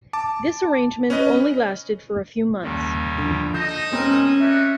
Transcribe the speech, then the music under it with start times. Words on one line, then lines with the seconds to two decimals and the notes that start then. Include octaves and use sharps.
This arrangement only lasted for a few months.
0.13 A5 D6
1.10 C#4 B4 D#5
2.63 F#1 D#2 D#3 G3
3.18 D3 F3
3.54 D#4 D#5 A5 G6
3.91 E1 C4 C#4 A#4
4.40 G3 G#3 F#4 E5